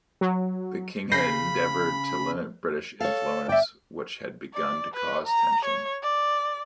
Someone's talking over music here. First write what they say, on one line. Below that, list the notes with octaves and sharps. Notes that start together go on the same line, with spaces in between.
The King had endeavored to limit British influence, which had begun to cause tension.
F#3
C#3 B5 G6 A#6 C7
A4 C#5 F5 A5
G1 D5 E5 G5
D5
B4
A#5
C#5
D5